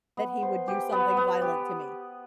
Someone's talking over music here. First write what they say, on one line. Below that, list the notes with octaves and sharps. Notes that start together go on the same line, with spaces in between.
that he would do something violent to me.
B3
C5
G4
B3
B3
G4